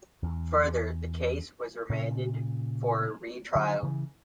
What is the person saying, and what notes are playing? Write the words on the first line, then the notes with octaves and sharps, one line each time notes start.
Further, the case was remanded for a re-trial.
E2
A#2 C#3
D3 F#3
C#3 E3